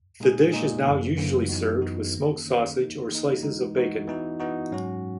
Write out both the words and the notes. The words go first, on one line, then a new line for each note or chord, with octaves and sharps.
The dish is now usually served with smoked sausage or slices of bacon.
A#2 G#3 D#4 G#4
A#2 G#3 D#4 G#4
F#2 C#3 E3 A#3
F#2 C#3 E3 A#3
F#2 E3 B3 D#4 F#4
F#2 E3 B3 D#4 F#4
D#3 A#3 C#4
D#3 A#3 C#4
E3 A#3 D#4
E3 A#3 D#4
E3 G#3 D#4 F#4
E3 G#3 D#4 F#4
E3 B3 D#4 F#4
E3 B3 D#4 F#4
G#2 F#3 C#4 F#4